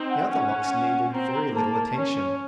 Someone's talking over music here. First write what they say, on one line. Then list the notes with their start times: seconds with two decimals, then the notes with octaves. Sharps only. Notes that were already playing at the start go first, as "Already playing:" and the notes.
The other locks needed very little attention.
Already playing: C4 D#4
0.10 F#5
0.31 C#4 F#5
1.14 C4 A#5
1.35 A#5
1.56 A#3 A5
1.98 C#4 C#5